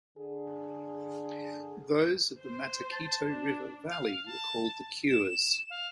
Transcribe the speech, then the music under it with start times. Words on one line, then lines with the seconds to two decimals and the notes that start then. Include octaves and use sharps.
Those of the Mataquito River valley were called the "Cures".
0.18 D3 G#4
2.38 C5
2.93 A5
3.29 D4
3.90 F5
4.26 A5
5.10 E7
5.70 F5